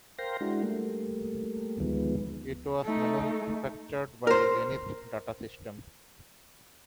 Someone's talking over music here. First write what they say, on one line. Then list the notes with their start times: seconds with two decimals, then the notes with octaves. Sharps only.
It was manufactured by Zenith Data Systems.
0.19 A#4 C5 F5 G5 C6 A#6
0.41 G#3 D4 E4 F#4
0.62 G3 A3 A#3
1.80 D2 D#3 F3 G#3 B3
2.84 A3 D#4
4.27 A#4 C5